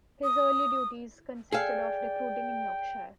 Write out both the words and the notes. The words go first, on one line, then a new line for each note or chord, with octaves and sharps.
His early duties consisted of recruiting in Yorkshire.
D#6
G#4 A4 D5 F5 G5